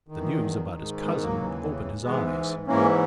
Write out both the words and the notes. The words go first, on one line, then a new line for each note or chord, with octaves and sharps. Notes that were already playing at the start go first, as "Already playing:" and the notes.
The news about his cousin opened his eyes.
E2 D#3
G#2 D#3
G#3 B3
F#3 A#3
D#2 C#3 E3
G#2 E3 G#3 B3
G#2 E3 A#3 C#4